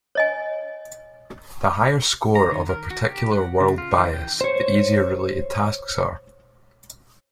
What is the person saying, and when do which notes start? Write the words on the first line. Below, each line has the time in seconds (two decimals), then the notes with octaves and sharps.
The higher score of a particular world bias, the easier related tasks are.
0.15 C#5 D#5 G#5
2.35 A#5
2.52 D#3
2.69 A#4
2.91 F#4
3.09 G4
3.32 F#5
3.60 C#3
3.78 F4
3.98 E3
4.14 G5
4.41 C5 C#5